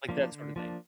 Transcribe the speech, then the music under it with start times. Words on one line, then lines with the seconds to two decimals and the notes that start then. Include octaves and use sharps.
like, that sorta thing,
0.09 F3 A#3 D4
0.32 D3
0.56 F3 A#3 D4